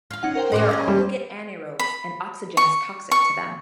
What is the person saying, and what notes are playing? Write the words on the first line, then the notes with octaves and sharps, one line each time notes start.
They are obligate anaerobes and oxygen is toxic to them.
F4 F5
C#4 D#4 F#5
A#4 C5 G5
A2 F#4 D#5 C6 D6
A#3 C#4 G#4
G3
B5
C#6
C#6